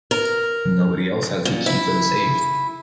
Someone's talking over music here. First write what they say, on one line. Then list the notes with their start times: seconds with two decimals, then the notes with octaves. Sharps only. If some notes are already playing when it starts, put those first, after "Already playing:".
Nobody else has the key for the safe.
0.11 A#4
1.45 A#2
1.66 E4